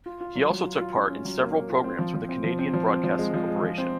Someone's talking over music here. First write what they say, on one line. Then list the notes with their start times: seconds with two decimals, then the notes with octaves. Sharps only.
He also took part in several programs with the Canadian Broadcasting Corporation.
0.06 F4
0.21 F4
0.35 F#3
0.50 F#3
0.65 F4
0.80 F4
0.95 C#4
1.10 C#4
1.25 F#3
1.40 A#3
1.55 A#3
1.70 F4
1.84 C4
1.99 F3
2.14 F3
2.29 C4
2.44 F3
2.59 C4
2.74 F3
2.89 C4
3.04 F3
3.19 G#3
3.34 F3
3.48 G#3
3.63 F3
3.78 C4